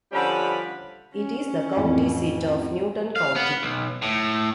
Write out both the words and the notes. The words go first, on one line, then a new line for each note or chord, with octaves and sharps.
It is the county seat of Newton County.
D3 F3 G3 C#4 B5
C#4
A1 F2
F5
B3
B1
A2